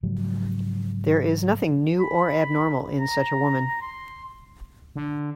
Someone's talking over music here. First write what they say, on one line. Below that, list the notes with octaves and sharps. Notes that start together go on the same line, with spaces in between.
There is nothing new or abnormal in such a woman.
G#2 C#3 F3 F#3
B5
A#5
C6
D3